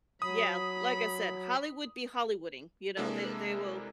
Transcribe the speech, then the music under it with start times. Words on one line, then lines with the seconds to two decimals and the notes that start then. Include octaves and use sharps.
Yeah, like I said, "Hollywood be Hollywooding," you know, they they will
0.22 F#3 B5 D#6
2.97 C3 G#3 A#3 D4 E4 A4